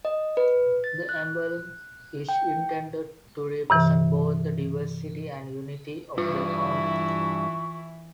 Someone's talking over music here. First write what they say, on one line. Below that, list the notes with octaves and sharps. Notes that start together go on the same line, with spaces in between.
The emblem is intended to represent both the diversity and unity of the country.
D#5
B4
A6
F#6
G5
G2 C3 E3
G2 E3 E4 F4 C#6